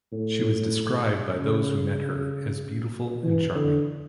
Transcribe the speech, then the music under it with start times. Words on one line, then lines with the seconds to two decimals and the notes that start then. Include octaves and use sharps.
She was described by those who met her as beautiful and charming.
0.12 A2
1.36 C#3
3.24 E3
3.55 D3